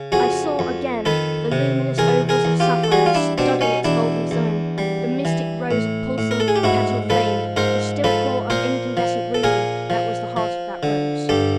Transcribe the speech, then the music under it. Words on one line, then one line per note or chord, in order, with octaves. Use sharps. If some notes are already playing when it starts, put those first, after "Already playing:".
I saw again the luminous ovals of sapphire, studding its golden zone, the mystic rose of pulsing, petal flame, the still core of incandescent ruby that was the heart of that rose.
Already playing: C#3
F2 F#4 G#4
F2
D#3 A4 B4
C3
E2 G#4 A#4
G#4 A#4
E2
F4 G4
A4
G3 F#4 G#4
F4
D4 E4
B2 C4 D4
C#4 D#4
E2 D4 E4
E2
G3
E3
A2
A2
A#4
A4
G#4
G4
G#2 E4 F#4
F3 A4 B4
G#2 A#4 C5
F3 A4 B4
A#2 A#4 C5
F3
A4
A#2 G#4 A#4
F3
F3
D3
G2 G4 A4